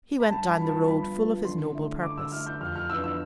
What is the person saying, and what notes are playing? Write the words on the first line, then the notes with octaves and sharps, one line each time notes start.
He went down the road full of his noble purpose.
B5
G2 A5
B5
F3 B3
A5
G2 B5
F3 B3
D3 C6
A3 E4
D3 D6
E6
A3 E4 F6
G6
F2 F6
F6
E3 B3 D4 E6
E6